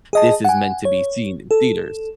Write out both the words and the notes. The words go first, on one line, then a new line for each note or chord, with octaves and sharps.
"This is meant to be seen in theaters."
G#4 D#5 A5
F#5 G#5
C#5
A4